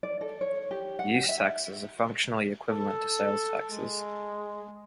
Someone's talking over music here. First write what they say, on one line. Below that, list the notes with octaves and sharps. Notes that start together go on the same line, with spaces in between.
Use taxes are functionally equivalent to sales taxes.
D5
A4
C#5
G4
F#5
G4
E5
A4
G#3